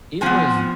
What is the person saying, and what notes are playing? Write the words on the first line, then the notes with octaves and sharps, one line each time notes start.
it was
C3 F3 B3 G#5